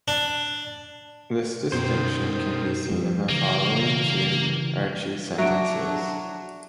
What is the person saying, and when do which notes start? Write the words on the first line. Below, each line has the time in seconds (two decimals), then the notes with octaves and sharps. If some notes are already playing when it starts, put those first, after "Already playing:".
This distinction can be seen in the following two Archi sentences.
0.08 D4
1.72 F#2 B2 B3 C#4 D#4 A#4 C5
2.91 F2
3.29 C#3 E3 A#3
5.38 F#3 D4 F#4 E5 D7